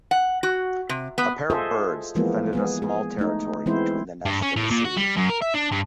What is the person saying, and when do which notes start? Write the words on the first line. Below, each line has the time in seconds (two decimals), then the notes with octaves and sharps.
A pair of birds defend a small territory between the nest and the sea.
0.11 F#5
0.43 F#4
0.89 C3
1.18 B3
1.50 F4 G#4 A4 C5 D#5 E5
2.15 E3 F3 G#3 A#3 B3
2.53 G#3 B3 G#4
2.82 G#4
3.19 A3 D#4
3.66 E3 G#3 B3 C4 E4 C5
4.25 G2
4.42 C#4
4.56 A2
4.70 A#2
4.85 F#4
4.97 G3
5.16 F#2
5.29 A#4
5.42 E5
5.55 D4
5.72 G2